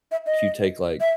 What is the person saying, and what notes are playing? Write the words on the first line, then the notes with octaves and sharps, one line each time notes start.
if you take, like
E5
D#5
E5